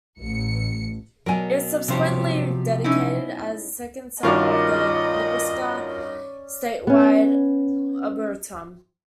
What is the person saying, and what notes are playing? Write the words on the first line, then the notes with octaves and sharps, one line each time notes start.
It was subsequently dedicated as the second site of the Nebraska Statewide Arboretum.
A1 C#7
B2 F#3 A#4 G#5
G2 C3 F3 G4 C5 C#5
C#4 D#4 E4
G2 D#3 C#4 F4 F#4 A#4 D5 D#5
B3 C#4